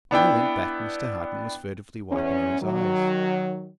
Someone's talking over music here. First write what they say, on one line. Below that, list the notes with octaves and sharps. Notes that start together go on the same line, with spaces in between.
When I went back, Mr. Harton was furtively wiping his eyes.
B3 D4 E4 G5
E2 C#4
D#3 F#3